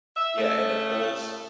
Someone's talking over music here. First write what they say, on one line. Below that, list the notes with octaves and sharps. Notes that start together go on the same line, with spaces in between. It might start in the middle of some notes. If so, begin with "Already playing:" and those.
yeah, and the pools
E5
C#3 A3